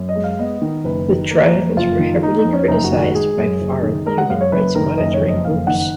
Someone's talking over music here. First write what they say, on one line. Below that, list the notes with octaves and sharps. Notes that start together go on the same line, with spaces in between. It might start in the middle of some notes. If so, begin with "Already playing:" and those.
The trials were heavily criticised by foreign human rights monitoring groups.
Already playing: F#2
D#5
G#3
F5
B3 D#5
D#3
F#1 B4
D#3
A#3
F2
F#1 F4
D#3
A#3 D#4
D#4
F2
C#4
F#1 D#4
F#4
D#3
F#4
G#3 G#4
F#2
F#1
D#3
G#3 A#4
F#5
F#2 F5
C#5
F#1 B4
D#3 A#4
F#1 D#5
C#5
F2
D#5
F#1 F5
D#3 F#5